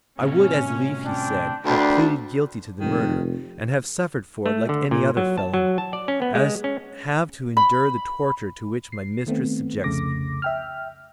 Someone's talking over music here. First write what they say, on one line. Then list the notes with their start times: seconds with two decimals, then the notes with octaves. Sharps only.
"I would as lief," he said, "have pleaded guilty to the murder, and have suffered for it like any other felon, as have to endure the torture to which my mistress subjects me."
0.20 A2 C3 C#4
1.06 C4 D4 G5
1.66 D2 D4 B4 G5 C6
2.80 F1 D#3
4.46 A3
4.69 D3
4.91 A#2
5.17 F#3
5.38 A5
5.54 F#3
5.78 A5
5.93 D5
6.08 C#4
6.22 B3
6.35 G#3
6.64 C#4
7.57 B5
8.92 C7
9.27 D#3 A3 B3 C4
9.84 C2 F2 C#3 A3 D6 A#6
10.42 E5 G5 F6